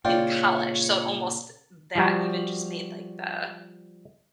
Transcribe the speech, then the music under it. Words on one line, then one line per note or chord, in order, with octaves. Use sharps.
in college, so almost that even just made like the
A#2 C#3 F4 C#5 D5 G5
F3 G3 F#4